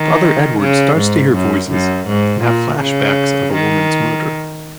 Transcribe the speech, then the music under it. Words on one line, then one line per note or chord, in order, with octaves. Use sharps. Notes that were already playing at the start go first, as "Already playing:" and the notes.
Brother Edward starts to hear voices and have flashbacks of a woman's murder.
Already playing: D#3
C#3
G#2
F#2
F#2
G#2
A#2
C#3
D#3